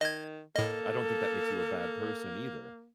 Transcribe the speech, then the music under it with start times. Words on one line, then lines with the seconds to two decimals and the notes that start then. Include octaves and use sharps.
I don't think that makes you a bad person either.
0.01 D#3 D#5 G#6
0.56 A2 A#3 A4 D#5